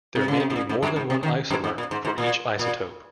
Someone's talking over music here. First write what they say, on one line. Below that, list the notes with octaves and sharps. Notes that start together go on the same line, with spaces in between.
There may be more than one isomer for each isotope.
C3
C#3
C3
G#2
A#2
G#2
F#2
G#2
C3
D#3
F#2
G#2
A#2
G#2
G#2
A#2
A#2